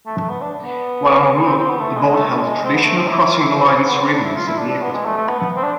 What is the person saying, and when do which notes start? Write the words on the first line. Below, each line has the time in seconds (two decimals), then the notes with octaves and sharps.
While en route, the boat held the traditional crossing-the-line ceremonies at the equator.
0.06 A3
0.18 A3
0.29 B3
0.41 D4
0.64 B3
1.46 C4
1.57 C4
1.69 B3
1.80 A3
1.97 G#3
2.15 A3
2.27 A3
2.39 G#3
2.64 C4
2.73 B3
2.84 A3
2.97 C4
3.07 E4
3.20 E4
3.29 F4
3.39 E4
3.54 C4
3.88 B3
4.00 C4
4.12 D4
4.24 E4
4.35 F4
4.47 E4
4.58 D4
4.70 D4
4.82 B3
4.93 G#3
5.05 A3
5.17 A3
5.28 B3
5.39 B3
5.56 C4
5.63 D4